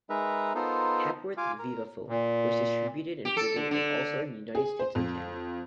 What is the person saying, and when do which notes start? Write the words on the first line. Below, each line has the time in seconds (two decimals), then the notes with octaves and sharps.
Hepworth's vivaphone was distributed in Britain and also in the United States and Canada.
0.10 G#3 D#4 A#4 B4 E5 A#5
0.55 B3 D#4 F4 A4 A#4 C5
1.37 F4 F5 G#5 D6
1.59 A#4
2.08 A#2
3.25 G4
3.37 A4
3.56 D3
3.71 D3
4.55 G#4
4.79 C5
4.95 F2